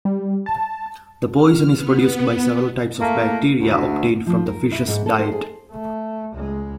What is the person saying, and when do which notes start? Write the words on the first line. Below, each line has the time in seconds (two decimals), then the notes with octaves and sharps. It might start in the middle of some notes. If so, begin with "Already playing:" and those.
The poison is produced by several types of bacteria obtained from the fish's diet.
0.05 G3
0.46 A5
1.32 F6
1.70 B3
3.00 A3 A#3
3.60 D2
4.26 F3
4.46 A#4
4.72 E4
4.87 G#2
5.06 A4
5.19 C5
5.32 G#4
5.73 A3
6.33 C#2 G#3